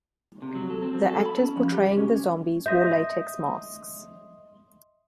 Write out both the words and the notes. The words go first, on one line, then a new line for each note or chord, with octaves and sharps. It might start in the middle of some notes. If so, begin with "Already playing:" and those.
The actors portraying the zombies wore latex masks.
C3
F#3
A4
C4
F#3
A4
B5
C#4
F3
G4
C2
C#4
D#5 E5 C6 D#6 G6 A#6